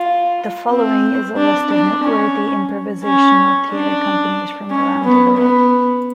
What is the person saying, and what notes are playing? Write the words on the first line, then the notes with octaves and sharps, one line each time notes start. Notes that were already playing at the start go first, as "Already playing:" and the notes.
The following is a list of noteworthy improvisational theatre companies from around the world.
Already playing: F4
C4
D4
D4
C#4
C#4
D4
C#4
B3
B3